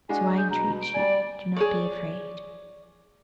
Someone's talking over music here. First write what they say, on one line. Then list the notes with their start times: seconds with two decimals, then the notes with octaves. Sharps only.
So I entreat you do not be afraid.
0.09 G#3 D4 F#4 G#5
0.38 G#4 G6
0.50 B2 A#5
0.82 D7
0.94 G3 D5 G#5
1.56 G#4 C#5 D5